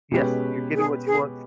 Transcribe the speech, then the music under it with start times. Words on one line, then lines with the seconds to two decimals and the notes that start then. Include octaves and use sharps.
Yes, you're getting what you want
0.12 B2 G#3 C#4 G4 B4
0.74 G#4
1.06 G#4